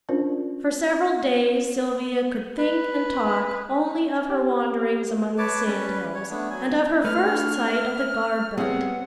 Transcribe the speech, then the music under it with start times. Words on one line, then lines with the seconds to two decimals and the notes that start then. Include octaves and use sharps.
For several days Sylvia could think and talk only of her wanderings among the sand-hills, and of her first sight of the guard-boat.
0.09 C#4 D4 F4 A#4 C5 D5
2.59 B4
4.30 G4
5.38 B4 C#5 A5 D6
5.65 G3 C#4 B4
6.14 C#5
6.30 A3 B3 D4
6.50 F#3 G#5
7.04 A3 B4 F6
7.27 D4 F#4
7.76 E5
8.57 G3 B3 C4 G#4 C#5 F#5